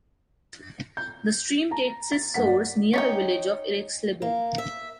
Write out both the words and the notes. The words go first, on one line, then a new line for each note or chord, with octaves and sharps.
The stream takes its source near the village of Irxleben.
G6
A5 A#5
A6
G2 A#3 F#5 B6
D5
C#4 D#4 G5
A#3
E5